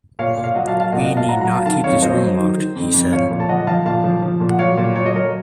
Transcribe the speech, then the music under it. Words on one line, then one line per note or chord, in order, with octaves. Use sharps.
"We need not keep this room locked," he said.
A#2 C#5 F5
A#2
F5
F#3 D#5 F#5
F5 A5
F#3
F5 A5
A#2 D#5 F#5
D#5 F#5
A#2
F5 A5
F#3 F#5 A#5
F#5 A#5
F#3
F5 A5
D#3 F5 A5
F2 C#5 F5
F#3 C5 D#5
F#3
D#3
D#3
F2
F2
F3 C#5 F5
A#2
A5
F3 D#5 F#5
F3 F5 A5
A#2 F5 A5
F3
F3
A#2
F#5
F#3 C#5 F5
A#2
F#3 C#5
D#5
F#3 A#4 C#5